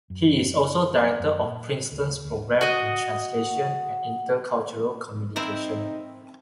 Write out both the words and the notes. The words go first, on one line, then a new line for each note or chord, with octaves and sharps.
He is also director of Princeton's Program in Translation and Intercultural Communication.
F#2
F#2
A#2
D2
D2
F#4 D#5
C4 D#4 E4 A#4